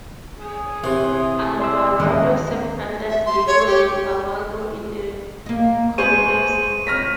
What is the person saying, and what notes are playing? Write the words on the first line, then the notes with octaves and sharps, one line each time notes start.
Alvarado served under Diego de Almagro in the conquest.
G#4
C3 E3 C5
D5 C6 E6
D#2 A2 E3 G#3 C#4 D#5
E5
C6
C#5
G4
A#3 D#5
G#3 G#4 B4 C5 C#6 D#7
C#5 F6 A#6 B6